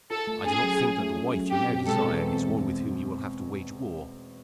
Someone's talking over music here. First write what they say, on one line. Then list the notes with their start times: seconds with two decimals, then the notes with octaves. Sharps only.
I do not think that the wife you now desire is one with whom you will have to wage war.
0.10 F4 A4
0.27 A3
0.45 C#4 G#4
0.63 F#3
0.81 F4
0.99 A3
1.16 C#4
1.34 F#3
1.51 C4 G4
1.69 B2
1.87 G#3 A4
2.05 E2
2.23 C4